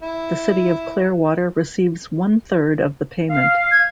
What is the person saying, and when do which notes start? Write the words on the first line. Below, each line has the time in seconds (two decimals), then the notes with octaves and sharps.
The City of Clearwater receives one-third of the payment.
0.03 E4
3.30 F5
3.71 G#6